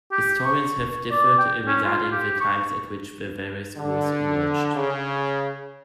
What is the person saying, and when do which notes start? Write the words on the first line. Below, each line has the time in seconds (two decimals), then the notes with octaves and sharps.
Historians have differed regarding the times at which the various schools emerged.
0.12 G4
0.44 C#6
1.11 D5
1.38 G5
1.67 C#4
1.84 F4
2.11 G4
2.40 C#6
3.76 D3
4.75 C#3